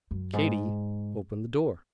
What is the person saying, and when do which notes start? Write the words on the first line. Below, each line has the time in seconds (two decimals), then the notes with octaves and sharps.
Katy opened the door.
0.11 F#2
0.33 G#2